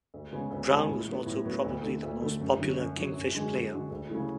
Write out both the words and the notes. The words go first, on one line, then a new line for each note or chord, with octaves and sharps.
Brown was also probably the most popular Kingfish player.
D2
C#3 G#3 B3
D2
C#3 G#3 B3
A2
F#3 B3
A2
F#3 B3
D2
D3 A3
D2
D3 A3
F#2
D3 F#3
F#2
D3 F#3
F#2
D3 G#3 D4 F#4
F#2
D3 G#3 D4 F#4
D2
C#3 F#3 A3 E4